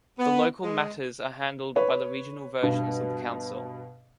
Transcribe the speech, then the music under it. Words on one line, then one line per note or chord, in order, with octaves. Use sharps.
The local matters are handled by the regional versions of the council.
B3
G#3
B4 C#5
G2 B2